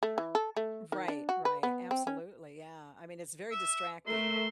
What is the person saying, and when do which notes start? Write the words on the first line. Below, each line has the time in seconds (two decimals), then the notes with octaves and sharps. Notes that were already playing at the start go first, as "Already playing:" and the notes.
Right, right, absolutely, yeah, I mean, it's very distracting,
0.03 A3
0.18 E3
0.35 A4
0.57 A3
0.92 D#3
1.08 D4
1.29 F#4
1.45 B4
1.63 B3
1.91 C4
2.07 C#4
3.51 E5
4.07 A3 A#4 E5 C6